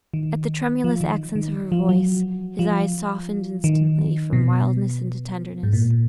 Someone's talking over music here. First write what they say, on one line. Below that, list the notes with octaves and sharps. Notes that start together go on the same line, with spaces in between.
At the tremulous accents of her voice, his eyes softened instantly from wildness into tenderness.
D#3
F3
D#3
D#3
F3
F#3
F3
D#3
B2
G#2
A#2